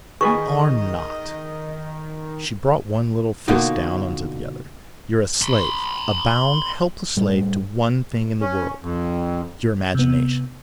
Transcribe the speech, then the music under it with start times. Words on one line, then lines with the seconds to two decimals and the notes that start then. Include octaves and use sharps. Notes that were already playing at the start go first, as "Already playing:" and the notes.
"You are not!" She brought one little fist down onto the other. "You're a slave, a bound helpless slave to one thing in the world, your imagination."
0.21 D#3 G#4 B4 D#5 G#5 C#6
3.48 B2 D3 A#3 D4 D#4 F4
5.42 B5 C6
7.17 A2 G3 A3
8.41 C#4
8.82 F2
9.95 C3 B3